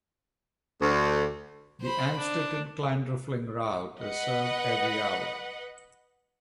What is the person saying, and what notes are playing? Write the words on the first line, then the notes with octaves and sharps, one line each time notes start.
The Amstetten–Kleinreifling route is served every hour.
D2
C5 B5
D4
B4 D#5 F#5